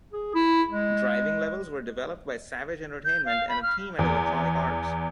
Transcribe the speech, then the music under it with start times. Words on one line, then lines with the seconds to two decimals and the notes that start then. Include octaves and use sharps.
Driving levels were developed by Savage Entertainment and a team at Electronic Arts.
0.13 G#4
0.35 E4
0.71 G#3
3.05 G6
3.25 F5
3.49 B5
3.63 F6
3.99 E2